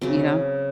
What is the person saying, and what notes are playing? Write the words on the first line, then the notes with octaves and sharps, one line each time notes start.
You know?
C#3 F#3 C4